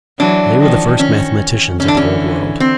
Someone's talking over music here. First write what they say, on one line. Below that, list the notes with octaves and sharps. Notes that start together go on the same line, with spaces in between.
They were the first mathematicians of the Old World.
E3 F#3 D4
D#3 F3
D#3 C#4
D3 E3 C#4
D4
C#4
C4